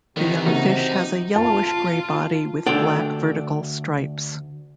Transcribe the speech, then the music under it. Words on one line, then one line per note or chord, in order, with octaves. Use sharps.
The young fish has a yellowish gray body with black vertical stripes.
C3 D#3 B3 D#4
C#3 E3 A#3 D#4 F#4
F4 A5
D2 D4 A4 D5 G5